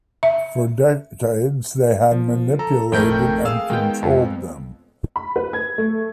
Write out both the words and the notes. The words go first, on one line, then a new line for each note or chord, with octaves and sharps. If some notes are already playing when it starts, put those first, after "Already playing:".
For decades they had manipulated and controlled them.
E5
F3
A4 A#5
G#1 F2 A3 A#4 G5 G6
G#4 F5 E6
D#3 G#3 B3 G5
F2
B5
B4
G#6
A3